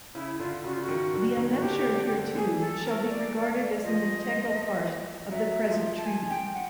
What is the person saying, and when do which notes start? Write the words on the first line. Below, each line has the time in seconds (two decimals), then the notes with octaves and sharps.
The Annexure hereto shall be regarded as an integral part of the present Treaty.
0.15 C#3 E4
0.38 D3 F4
0.64 C#3 F#4
0.73 F4
0.83 F#4
0.89 D#3
1.13 D3
1.37 D#3
1.54 F#4
1.62 D3 G4
1.87 D3
2.12 D3
2.36 E3 G#4
2.60 A4
2.85 A#4
3.10 D5
3.84 F3 D#5
5.31 F#3 E5
5.68 F3
5.98 A5
6.06 G#5
6.29 G5
6.54 F#5